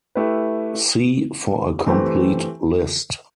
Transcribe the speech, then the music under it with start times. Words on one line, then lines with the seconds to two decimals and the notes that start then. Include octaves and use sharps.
See for a complete list.
0.15 A3 E4 G4 B4
1.86 E3 A3 C4 G4